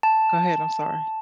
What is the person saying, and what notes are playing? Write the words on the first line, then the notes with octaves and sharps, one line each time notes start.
go ahead, I'm sorry.
A5